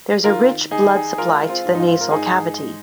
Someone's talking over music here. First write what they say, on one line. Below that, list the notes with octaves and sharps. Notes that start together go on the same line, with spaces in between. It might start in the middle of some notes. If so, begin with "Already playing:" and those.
There is a rich blood supply to the nasal cavity.
D#3 F4 A#4
D#3 D#4 G#4
D#4 G#4
G#3 F4 A#4
C4 F4
G#2
D#4
C4 F4
A#4
G#2 D#4 G#4
G#3